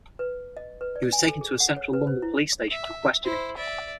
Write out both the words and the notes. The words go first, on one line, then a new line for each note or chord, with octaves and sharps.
He was taken to a central London police station for questioning.
B4
D#5
B4
D5
G#5
A4
G#4
F#5
C#5
B4
C5
E4
E5
E4 C5
D5 E5